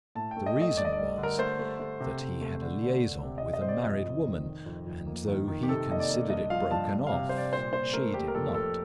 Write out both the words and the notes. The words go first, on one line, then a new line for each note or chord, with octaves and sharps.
The reason was that he had a liaison with a married woman, and, though he considered it broken off, she did not.
A2 A5
G5
A3
D#5
A3 D#5
G2 D5
D#5
G3 D5
D3
A#4
A3 C5
A3
A3
C3
C3
A3
D3
D3
D3
C3
D#5
C3
D#5
C3 C5
D5
F2 D#5
F2
D#3
D#3
F2
F2
A#3
D#3
D#3
G4
C3 A4
A#3 D#5
D5
A#3
G2 D#5
F3 F5
G2 A5
G3
F5
C3
G3 C5
D5
A#2 C5
A#2 C5
A3 A#4
A#3 G4
A#4
F2 A4
F2 A4